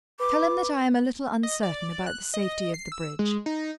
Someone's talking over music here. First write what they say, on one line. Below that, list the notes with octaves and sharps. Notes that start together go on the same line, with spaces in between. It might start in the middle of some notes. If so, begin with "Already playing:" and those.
"Tell him that I am a little uncertain about the safety of the bridge."
B4 D6
D#5
D5
F#6
D#5
C7
E6
G#3
D#4